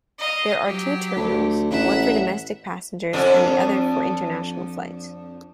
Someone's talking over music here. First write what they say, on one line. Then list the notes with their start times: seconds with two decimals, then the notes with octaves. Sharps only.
There are two terminals, one for domestic passengers and the other for international flights.
0.19 D#5 F5
0.66 F#3 G4
1.16 D2
1.71 A1 E5 F#5
3.13 F2 D4